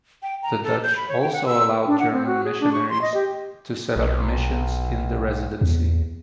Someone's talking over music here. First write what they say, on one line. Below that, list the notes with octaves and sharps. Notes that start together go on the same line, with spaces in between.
The Dutch also allowed German missionaries to set up missions in the Residency.
G5
A#5
A4
G6
B5
C#5
G5
F#5
E6
D4
F#5
C4
F#4
G#4
D4
C#6
C6
D#5
G4
B1
E2